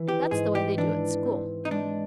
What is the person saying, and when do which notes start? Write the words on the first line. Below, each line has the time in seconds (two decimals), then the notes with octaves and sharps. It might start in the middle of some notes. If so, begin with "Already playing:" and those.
That's the way they do at school.
Already playing: E3
0.08 G4
0.31 G#2 G#4
0.55 G4
0.78 E3 D4
1.25 C4
1.65 D#4
1.71 G#3 D4